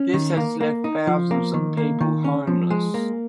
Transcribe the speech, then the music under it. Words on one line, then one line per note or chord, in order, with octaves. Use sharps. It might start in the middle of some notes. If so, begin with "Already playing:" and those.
This has left thousands of people homeless.
Already playing: C#4
D#3
A#3
A#3
D#4
F3
A#3
D#3
A#3
D#3
C#4
F3
G#3
A#3